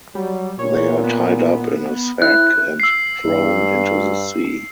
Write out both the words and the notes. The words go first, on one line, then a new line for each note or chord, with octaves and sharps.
They are tied up in a sack and thrown into the sea.
F#3 G3
A#2 C#5
B3
C4 E4 F#6
E6 C7
G2